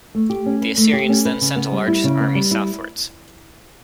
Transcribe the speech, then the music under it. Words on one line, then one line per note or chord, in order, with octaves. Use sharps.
The Assyrians then sent a large army southwards.
A3
G4
C#4
B4
A3
G4
C#4
B4
C#3
B3
G3
E4
C#3
B3
G3
E4